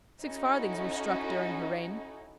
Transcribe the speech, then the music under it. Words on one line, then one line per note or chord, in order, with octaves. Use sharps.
Six farthings were struck during her reign.
C#4 D#4 E4 F#4 A4